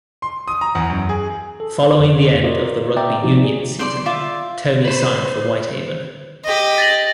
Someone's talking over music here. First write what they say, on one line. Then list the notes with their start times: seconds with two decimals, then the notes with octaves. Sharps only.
Following the end of the Rugby union season Tony signed for Whitehaven.
0.22 C6
0.48 D#6
0.61 A#5
0.75 E2
0.90 F#2
1.09 G#4
1.60 A4
1.99 F2
2.43 F4 F#4 A#4 D5 D#5
2.96 D5 E5 G5 A#5 D6
3.22 C3 F3 C4 D#4 F#4 G4
3.44 G#4
3.79 C5 D5 C6
4.06 F4 E5 D6
4.85 B4 C5
6.44 G4 D#5
6.78 A6 A#6 F#7